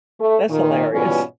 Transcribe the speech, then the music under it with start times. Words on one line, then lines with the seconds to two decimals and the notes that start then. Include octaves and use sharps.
That's hilarious.
0.20 A3
0.49 A#2 D#3
0.92 G#2 B2 E3 G3 C#4 F4